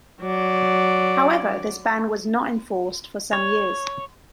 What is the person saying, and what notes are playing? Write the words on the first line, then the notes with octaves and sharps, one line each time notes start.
However, this ban was not enforced for some years.
F#3 D5
C#5